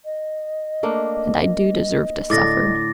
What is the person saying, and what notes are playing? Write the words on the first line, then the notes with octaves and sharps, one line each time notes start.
And I do deserve to suffer.
D#5
A3 A#3 D4
A2 D3 D6 A6 A#6